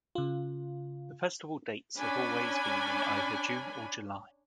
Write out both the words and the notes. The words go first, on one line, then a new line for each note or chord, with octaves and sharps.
The festival dates have always been in either June or July.
C#3 F4
C#4 D4 G#5 B5